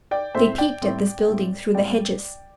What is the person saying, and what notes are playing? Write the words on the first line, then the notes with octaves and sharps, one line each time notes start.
They peeped at this building through the hedges.
D5 G5
A2 A3 C4 C5 E5
D5 G5
A2 G3 C4
A2 G3 C4
A2 G3 C4 D5 G5